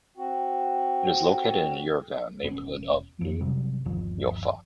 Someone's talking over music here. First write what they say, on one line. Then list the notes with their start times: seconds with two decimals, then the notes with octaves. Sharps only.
It is located in Yerevan neighbourhood of New Julfa.
0.17 C4 F#4
2.44 E1 B3 C#4
3.21 F2
3.41 G#1 C3 F#3 G3
3.85 G1 D#2 F3